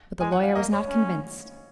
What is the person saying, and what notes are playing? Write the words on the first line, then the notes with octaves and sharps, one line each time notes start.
But the lawyer was not convinced.
G#3 G#5
F#5
F5
A#3 D#5
C#5
C#4